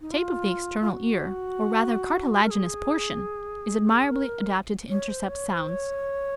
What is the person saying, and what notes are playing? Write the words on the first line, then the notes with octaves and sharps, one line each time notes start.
The shape of the external ear, or rather cartilaginous portion, is admirably adapted to intercept sounds.
D#4
F4
F4
F#4
A#4
G#4
A#4
C#5
C5
C#5
C#5
C5
C#5